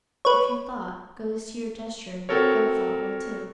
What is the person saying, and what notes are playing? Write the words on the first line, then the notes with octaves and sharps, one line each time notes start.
If your thought goes to your gesture, their thought will too.
B4 C#5
C4 F#4 A4 A#4 C#5